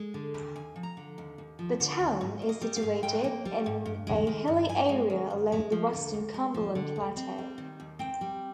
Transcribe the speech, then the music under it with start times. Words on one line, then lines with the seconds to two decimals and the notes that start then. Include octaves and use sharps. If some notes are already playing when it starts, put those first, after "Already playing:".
The town is situated in a hilly area along the western Cumberland Plateau.
Already playing: G#3
0.14 D3
0.34 D#2
0.56 D#2 G#5
0.76 F3
0.83 A#5
0.97 D3
1.18 D#2
1.38 D#2
1.59 F3
1.80 D3
2.00 D#2
2.21 G#2
2.42 A#3
2.49 D#5
2.61 G3
2.76 F5
2.83 G#2
3.03 G#2 G5
3.24 A#3
3.45 G3
3.66 G#2
3.86 G2
4.07 G#3
4.27 D#3
4.48 G2
4.69 G2 G#5
4.89 G#3
5.10 D#3
5.30 G2
5.52 G#3
5.72 F3
5.93 D3
6.14 D2
6.34 G#3
6.54 F3
6.75 D3
6.96 D2
7.16 C4
7.38 G3
7.58 D#3
7.80 D#2
7.99 C4 G5
8.21 G3